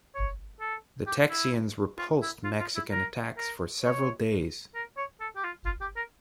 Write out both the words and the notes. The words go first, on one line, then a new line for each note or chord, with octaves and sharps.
The Texians repulsed Mexican attacks for several days.
C#5
A4
G4
E4
F4
E4
F4
F4
E4
A#4
A#4
C#5
A#4
C#5
A4
G4
F4
F4
G4
A#4